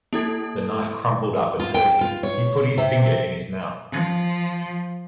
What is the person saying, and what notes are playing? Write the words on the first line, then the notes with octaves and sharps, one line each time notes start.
The knife crumpled up and hurt him; he put his finger in his mouth.
A#3 E4 A4
F4
G5
F4
C#5
C3
F3